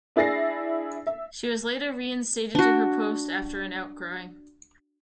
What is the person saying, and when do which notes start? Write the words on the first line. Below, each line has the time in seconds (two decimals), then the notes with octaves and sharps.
She was later re-instated to her post after an outcry.
0.16 D4 E4 G#4 A6 A#6 C7
1.07 E5
2.55 D4 F#4